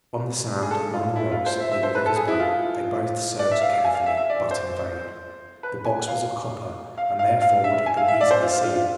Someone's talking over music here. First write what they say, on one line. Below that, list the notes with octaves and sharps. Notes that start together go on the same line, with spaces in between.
On the sand, among the rocks, near the river's bank, they both searched carefully, but in vain. The box was of copper, and therefore would have been easily seen.
G#4
A4
F4
E4
F4
C5
E5
E5
C5
B4
A4
G#4
E4
F4
D5
E5
F5
F5
G#5
F5
E5
E5
D5
C5
B4
G#5
F5
F5
F5
F5
E5
G#5
F5
E5
D5
C5
F4
F4
F4
F4